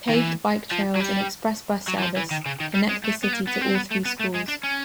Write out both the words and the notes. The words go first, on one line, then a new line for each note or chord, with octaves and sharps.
Paved bike trails and express bus service connect the city to all three schools.
D#3
E3
F3
F#3
G3
F#3
E3
F3
E3
D#3
C#3
D#3
G3
G#3
A3
B3
A#3
B3
C4
B3
A3
B3
A3
G#3
D4
C#4